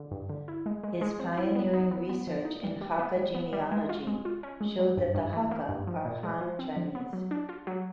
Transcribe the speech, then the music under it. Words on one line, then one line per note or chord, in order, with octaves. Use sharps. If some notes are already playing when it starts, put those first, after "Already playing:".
His pioneering research in Hakka genealogy showed that the Hakka are Han Chinese.
Already playing: D3
G2
D3
E4
G#3
G#3
G#3
C4
E4
B3
D#4
B3
B3
F3
D#4
G3
G3
B3
G3
B3
G3
G#3
F4
G#3
F4
C#4
G#3
G3
G2
G2
E3
A#3
G2
F3
A#2
G#3
F3
C4
F3
B3
F#3
D4
F4
F#3